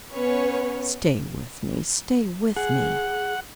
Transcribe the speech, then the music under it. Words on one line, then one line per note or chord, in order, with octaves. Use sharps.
Stay with me, stay with me!
B3 C#4 B4 C#5
G#4 F#5